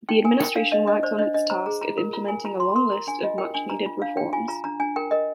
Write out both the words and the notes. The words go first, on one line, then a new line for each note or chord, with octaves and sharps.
The administration worked on its task of implementing a long list of much-needed reforms.
D#4 G5
A#4 G#5
A#4 G5
D4 F5
D4 D#5
D4 D#5
C5 D5
D4 D#5
D4 D#5
C5 A#5
G#4 A#5
F4 A#5
A#4
F4 A#5
A#4 G#5
F4 A#5
F4 C6
A#4 C6
A#4 A#5
D4 G#5
F4 D#5
A#4 G5
D4 G#5
D4 A#5
F4
D4 F5
D4 G5
F4 G#5
F4 A#5
D4 A#5
D4 G#5
A#4 G5
A#4 D#5